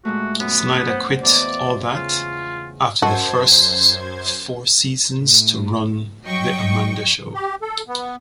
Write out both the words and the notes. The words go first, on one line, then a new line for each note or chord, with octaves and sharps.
Schneider quit "All That" after the first four seasons to run "The Amanda Show".
A#2 G#3 A3 F#4
F#2 B3
C5 F#5
E2 E3 D5 D#5
C#3 F4
F#2 F#4 A#4 C5 D#5 A5 G#6
A2
G2 F#3 D#5 G5 C#6
G4
A4
B3